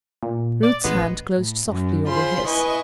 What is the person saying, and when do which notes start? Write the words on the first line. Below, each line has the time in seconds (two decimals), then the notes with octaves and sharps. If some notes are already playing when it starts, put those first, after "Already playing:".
Ruth's hand closed softly over his.
0.23 A#2
0.63 D5
0.85 A1 G#3 B3
1.37 A2
1.68 F#2
2.08 F4 G#4 C5 B5 C6
2.48 E4 B4 D#5 G#5 C#6